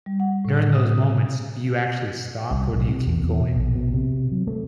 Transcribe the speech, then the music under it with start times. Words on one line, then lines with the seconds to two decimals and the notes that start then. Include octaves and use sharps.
during those moments, do you actually stop or do you keep going?
0.06 G3
0.20 F#5
0.45 A2
0.75 D#6
0.98 C3
2.51 C2
2.75 B1
2.88 C3
3.06 E2
3.23 E2
3.40 B2
3.56 A#1
3.75 B2
3.94 C3
4.32 F#3
4.47 A3